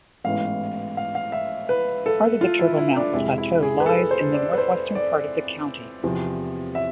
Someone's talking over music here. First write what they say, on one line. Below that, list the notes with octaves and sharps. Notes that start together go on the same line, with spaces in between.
Part of the Turtle Mountain plateau lies in the northwestern part of the county.
A1 G#2 E3 B3 F5
F5
F5
E5
B4
A4
F4
E4
E4
D4
F2 C3 G#3 E4
E4
G#4
B4
A4
C5
D5
B4
C5
D5
E2 C3 F3
E5